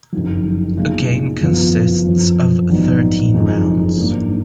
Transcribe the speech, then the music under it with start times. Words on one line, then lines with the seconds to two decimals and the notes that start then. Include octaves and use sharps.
A game consists of thirteen rounds.
0.13 F#1 F2 D#3 F#3
0.77 B1 A#2 G#3
1.41 F#1 F2 F3 B3 F4
2.05 F#1 F2 F3
2.70 A#1 G#2 F#3 B3 D#4
3.34 F#1 F2 F3 G#3 D#4
3.98 G#2 F#3 A#3 D4